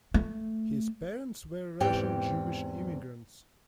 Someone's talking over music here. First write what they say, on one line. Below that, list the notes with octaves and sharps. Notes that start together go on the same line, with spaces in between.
His parents were Russian Jewish immigrants.
A3
E2 G#2 C4 G4 G5